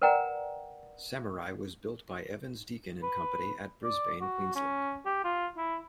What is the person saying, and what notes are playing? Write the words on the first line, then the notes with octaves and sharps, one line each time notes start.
"Samarai" was built by Evans Deakin and Company at Brisbane, Queensland.
A#4 B4 D5 F#5 G5 A#5
B4
D5
F#4
C#4
G4
F4
E4